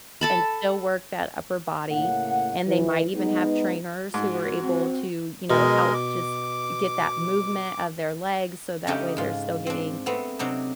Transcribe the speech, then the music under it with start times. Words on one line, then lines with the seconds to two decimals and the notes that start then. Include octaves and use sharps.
and still work that upper body, and they might even have trainers who are able to, you know, help just get that movement of their legs so that way they're still getting,
0.21 A4 A5 B5
1.91 A2 C#3 A#3 F#5
2.67 E3
3.14 G#3 B3 D#4
4.14 G#2 F#4
4.62 C4
5.50 B2 G#3 A#4 D#5
5.94 D6
8.87 C#3 A3 D4 D#4 G4 D#5
9.17 G#2 F4
9.67 C4 D4
10.06 A3 B3 C4
10.39 C3 F#3 D4 D#4